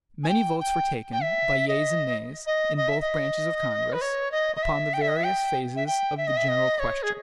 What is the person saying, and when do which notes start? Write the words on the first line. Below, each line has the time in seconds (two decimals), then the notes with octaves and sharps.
Many votes were taken, by yeas and nays, in both branches of Congress, upon the various phases of the general question.
0.24 G#5
0.28 G5
0.60 G5
1.12 G5
1.23 E5
1.68 D#5
2.47 D#5
2.77 D#5
2.89 E5
3.01 D#5
3.93 B4
4.01 C#5
4.32 D#5
4.56 D#5
4.63 E5
4.94 G5
5.02 E5
5.09 D#5
5.16 E5
5.25 G5
5.76 E5
5.87 G5
6.17 E5
6.27 D#5
6.37 E5
6.49 D#5
6.79 C#5
7.03 G#4